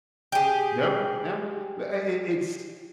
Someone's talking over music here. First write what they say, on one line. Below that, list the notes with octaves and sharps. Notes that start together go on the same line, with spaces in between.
No, no. But, I I it it's
G4 G#4